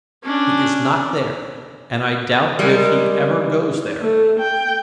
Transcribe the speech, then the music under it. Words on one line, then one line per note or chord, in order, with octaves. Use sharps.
He is not there and I doubt if he ever goes there.
C#4 D4
G3 G#3 A#4
A3
G5